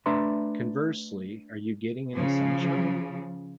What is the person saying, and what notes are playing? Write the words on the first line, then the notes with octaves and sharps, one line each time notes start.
Conversely, Are You Getting Any Sunshine?
A3 D4 B4 E5 A#5 C6
C#3 F3